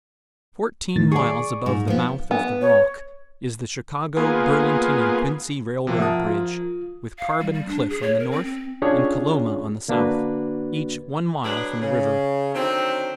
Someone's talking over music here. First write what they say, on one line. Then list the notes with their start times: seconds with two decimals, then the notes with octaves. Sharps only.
Fourteen miles above the mouth of the Rock, is the Chicago, Burlington and Quincy railroad bridge, with Carbon Cliff on the north and Coloma on the south, each one mile from the river.
0.96 A2 D#3 A6
1.12 G#4 D5 C#6
1.66 G#2
1.88 F3 B3
2.31 B3
2.61 C#5
4.17 A#3 B3 F4 G#4
5.87 C3 F3 A#3
5.99 F3 A#4 E5 F#5 A5 D#6
6.27 F4
7.18 F5
7.40 G3
7.54 G3
7.68 D4
7.89 G#4
8.02 C#5
8.20 A#4
8.32 C4
8.45 C4
8.82 C#4 D4 F4 G4 G#4 C#5
9.88 D3 A#3 D4 F#4 B4
11.44 F#3 G#3 B3 D4 G#4 B4
11.82 C#3
12.54 D3 D#3 F#3 C4